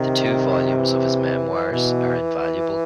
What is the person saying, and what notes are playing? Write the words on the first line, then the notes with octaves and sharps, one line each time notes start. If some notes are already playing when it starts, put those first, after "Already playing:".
The two volumes of his "Memoirs" are invaluable.
Already playing: C3 D#3
E3
B2 E3